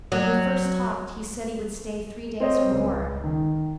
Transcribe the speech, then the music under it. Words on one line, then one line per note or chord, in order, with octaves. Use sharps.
When he first talked he said he would stay three days or more.
F#3
C4 C5 C#5 D#5
C#2
D#3